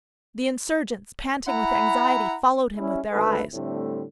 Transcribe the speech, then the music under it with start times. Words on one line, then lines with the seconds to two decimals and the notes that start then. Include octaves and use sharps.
The insurgents, panting with anxiety, followed him with their eyes.
1.48 E4 E5 F#5 A#5 B5
2.76 G3 C#4 E4
3.12 G#1 D2 A3 A4 B4
3.53 A2 D3 G3 A3 C4